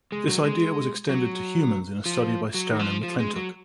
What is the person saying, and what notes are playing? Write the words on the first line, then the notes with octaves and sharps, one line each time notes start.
This idea was extended to humans in a study by Stern and McClintock.
G#3
F#3
G#3
F#3
F3
F#3
D#3
F3
F3
G#3
F#3